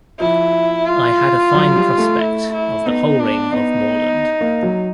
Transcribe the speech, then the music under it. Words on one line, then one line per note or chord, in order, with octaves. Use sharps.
I had a fine prospect of the whole ring of moorland.
F3 E4
F4
F#3
G3
A3
E4
E4
B3 D#4
D4
B3 D#4
A#3
F#3